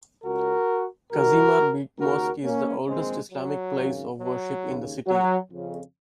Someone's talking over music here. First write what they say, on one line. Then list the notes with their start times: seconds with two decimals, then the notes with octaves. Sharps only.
Kazimar Big Mosque is the oldest Islamic place of worship in the city.
0.24 C#2 C#3 F#4 A#4
1.12 C2 C3 D#3 F#4 A#4
2.00 D#2 C#3 F#4 A#4
2.44 A#3 C#4
2.88 A#1 G#2 D#3 G#3 C4
3.32 F#3
3.76 G#1 F#2 C#3
4.19 F#3
4.63 D#2 C#3
5.07 F#3
5.51 F2 C#3